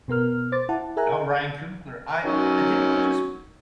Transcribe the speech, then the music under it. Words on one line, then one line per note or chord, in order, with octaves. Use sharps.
Oh, Ryan Coogler. I uh, didn't he just
B2 B3 A#4 F6
C5 D6 A6
E4 F#5 A5
G#4 A#4 E5 G#5 A#5 F#6
D#3 F#3 C#4